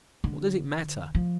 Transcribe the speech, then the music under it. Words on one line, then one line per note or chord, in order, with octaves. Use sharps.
What does it matter?
D3
F3